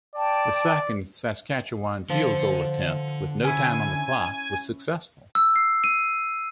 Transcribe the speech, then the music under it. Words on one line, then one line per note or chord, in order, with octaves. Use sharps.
The second Saskatchewan field goal attempt, with no time on the clock, was successful.
D5 G5 A5
D3 F3
C#4 E4 G#5
E6
C7
D#7